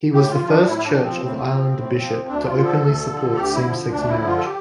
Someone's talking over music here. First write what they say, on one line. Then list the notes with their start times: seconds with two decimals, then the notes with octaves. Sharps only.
He was the first Church of Ireland bishop to openly support same-sex marriage.
0.12 A2 G4
0.31 F4
0.40 F3
0.48 D4
0.66 A2 E4
0.85 D4
0.94 F3
1.03 C4
1.21 A2
1.48 F3
1.75 A2
2.02 F3
2.29 D2 D4
2.47 F4
2.57 D3 F3
2.64 A4
2.83 D2
3.10 D3 F3
3.37 D2 G4
3.55 E4
3.63 D3 F3
3.91 D2 D4
4.09 E4
4.18 D3 F3
4.26 F4
4.38 A4
4.45 G4